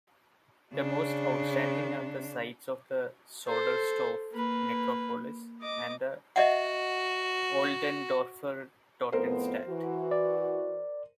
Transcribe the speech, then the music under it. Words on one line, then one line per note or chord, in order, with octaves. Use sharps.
The most outstanding are the sites of the Soderstorf Necropolis and the Oldendorfer Totenstatt.
C#3 D4
A4 C5
A#3 B4
D#5 D6
F#4 D#5 E5 F#5
F2 A2 B3 A#4 C5
E3 F#4
D5